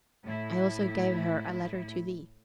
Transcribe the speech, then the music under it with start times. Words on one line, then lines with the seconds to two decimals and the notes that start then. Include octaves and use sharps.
I also gave her a letter to thee.
0.24 A2 E4